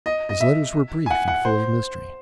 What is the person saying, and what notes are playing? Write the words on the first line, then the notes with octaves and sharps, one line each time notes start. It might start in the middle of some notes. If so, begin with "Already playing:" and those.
His letters were brief and full of mystery.
D#5
D#5
E5
G#5
F#5
F#5
C5